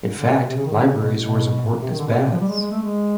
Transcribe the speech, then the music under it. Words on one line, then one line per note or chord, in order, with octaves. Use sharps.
In fact, libraries were as important as baths.
D3
C3
C#3
D#3
D3
C#3
B2
B2
C3
D#3
D3
B2
C#3
D3
F3
G3
G#3
G#3
A3
G#3